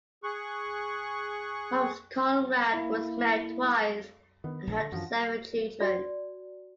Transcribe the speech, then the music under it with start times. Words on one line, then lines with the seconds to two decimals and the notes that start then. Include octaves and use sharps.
Holmes Conrad was married twice and had seven children.
0.24 G#4 C#6 F#6
2.73 A#3 E4
4.44 D#3 B3
4.67 A#1
4.80 D3 A#6
4.92 F#2 F3 F#4
5.80 F#4 D5